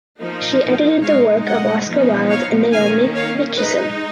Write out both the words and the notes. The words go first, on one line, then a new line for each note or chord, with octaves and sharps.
She edited the work of Oscar Wilde and Naomi Mitchison.
F3 A#3 D#4
G#3 D#4 C#5 F5
D#5 F#5
F3 B3 D#4
C#5 F5
D#3 A#3 C#4 F5 G#5
C#5 F5
G#3 D#4 B4 D#5